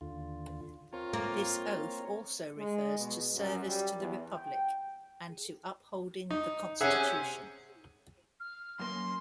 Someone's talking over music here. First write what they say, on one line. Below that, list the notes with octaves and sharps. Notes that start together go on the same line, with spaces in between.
This oath also refers to service to the republic, and to upholding the Constitution.
D#2 D3 F4
C4 F4 A#4 C#5
A#3
G#3
B2
F#2
G3
E2
G5
D#4
C3 C#4 G#4 E5 F#5
F6
F#2 A#3 C6